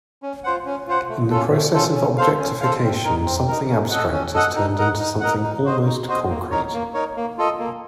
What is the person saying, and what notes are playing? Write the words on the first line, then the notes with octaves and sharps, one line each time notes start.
In the process of objectification something abstract is turned into something almost concrete.
C#4
F4 C5 F#5
C#4
F4 C5 F#5
A3
C#4 F4 A4
A3
C#4 F4 A4
C#4
A4 C5 F5
C#4
A4 C5 F5
C4
D#4 A#4
C4
D#4 A#4
C#4
A4 D#5 F#5
C#4
A4 D#5 F#5
D#4
A#4 D#5 F#5
D#4
A#4 D#5 F#5
D#4
F#4 C5 D#5
D#4
F#4 C5 D#5
A#3
D#4 A#4 C#5
A#3
D#4 A#4 C#5
A#3
F4 A4 D#5
A#3